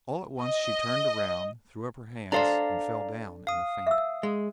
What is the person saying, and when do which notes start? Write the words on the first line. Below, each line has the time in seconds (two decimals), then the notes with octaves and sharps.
All at once she turned round, threw up her hands, and fell down in a faint.
0.42 D#5
2.32 D4 A4 C5 D5 F5 A#5
3.47 F5 D#6
3.87 E5 E6
4.23 G#3